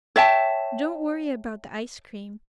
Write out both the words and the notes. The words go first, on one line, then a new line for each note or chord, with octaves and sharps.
Don't worry about the ice-cream.
C#5 E5 G5 A5